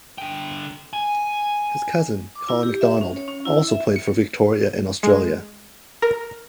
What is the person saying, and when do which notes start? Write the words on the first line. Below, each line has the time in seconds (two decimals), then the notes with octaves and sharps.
His cousin, Colin McDonald, also played for Victoria and Australia.
0.18 D3 G5
0.93 G#5
2.35 D6
2.49 E4
2.63 G4
2.81 E5
3.01 C#4
3.16 C#5
3.28 C#4
3.46 E4
3.68 E5
3.96 C#7
5.03 G#3
6.02 A#4